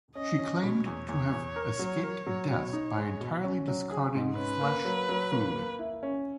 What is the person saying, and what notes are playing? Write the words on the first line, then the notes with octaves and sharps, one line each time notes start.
She claimed to have "escaped death by entirely discarding flesh food".
C#4 D#5
C#4
B2 C#5
E2
E2
E2
A#4
F#3
A#4
F#3
B2
D#4
G#3
B2
C#4
F#3
G#4
G#2
C#4 B4
A#3
F#3
F#3
A#3
A#3
E4
C#4